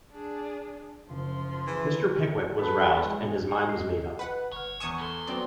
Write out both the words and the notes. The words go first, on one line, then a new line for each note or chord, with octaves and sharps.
Mr. Pickwick was roused, and his mind was made up.
D4 G#4
F#1 F3 C6
E3 G#4
A4 B4
G#3
D#5 C7
B4 F#5
G1 C#5 F6
E2 G#5 C#6 D#6 G#6 C#7 E7
G2 A4 B5 C6
F#3 B3 C4 D5